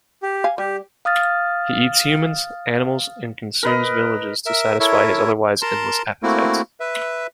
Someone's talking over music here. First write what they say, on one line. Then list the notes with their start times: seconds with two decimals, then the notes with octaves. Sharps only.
He eats humans, animals and consumes villages to satisfy his otherwise endless appetite.
0.23 G4
0.44 F5 G#5
0.58 G3 G4
1.05 F5 D#6 F6 A6
3.63 A#4 B4 D#5
4.46 A#4 E5
4.80 E4 A4 A#4 C#5 E5
5.62 A#4 A5 A#5 C6
6.23 A3 A#3 C4 E4 F#4
6.80 B4 E5